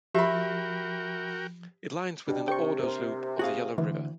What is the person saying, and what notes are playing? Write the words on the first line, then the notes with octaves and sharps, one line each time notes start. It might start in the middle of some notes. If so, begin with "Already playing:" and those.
It lies within the Ordos Loop of the Yellow River.
F3 F#4 G4 A#4 E5 G5 B5
B2 G3 D4 G4
C3 G5 C#6
A#4 C5
F#4 G#4 F5
D2 E3